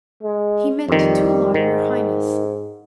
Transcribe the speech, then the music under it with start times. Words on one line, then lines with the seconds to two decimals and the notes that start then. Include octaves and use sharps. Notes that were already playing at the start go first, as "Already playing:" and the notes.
"He meant to alarm your highness."
0.23 G#3
0.88 F2 D#3 G3
1.54 G#2 D#3